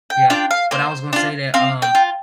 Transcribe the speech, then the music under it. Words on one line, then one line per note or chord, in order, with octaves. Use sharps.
yeah. But I was gonna say that, um,
G5
D4 F4 G5
F5
A#3 C5
D4 F4
C4 F5
G5
F4